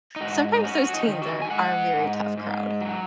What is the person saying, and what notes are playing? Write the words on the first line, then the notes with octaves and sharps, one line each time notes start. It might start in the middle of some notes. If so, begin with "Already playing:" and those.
sometimes those teens are are a very tough crowd.
D#4
G#2 F#4
D#4
C#4 F#4
F#4
D#4
D#3
F#4
G#5
G#3 F#5
G#2
G#2
F#3